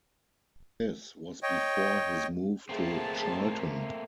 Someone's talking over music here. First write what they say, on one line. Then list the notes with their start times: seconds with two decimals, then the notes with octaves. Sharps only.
This was before his move to Charlton.
1.43 C#5 D#5 G5
2.69 A3 A#3 C4 G#4 A5